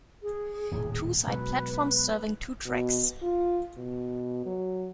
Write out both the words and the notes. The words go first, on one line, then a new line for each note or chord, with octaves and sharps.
Two side platforms serving two tracks.
G#4
D#1 A2 C3
B2 F#3 G#3 B4
B2
F4
B2
F#3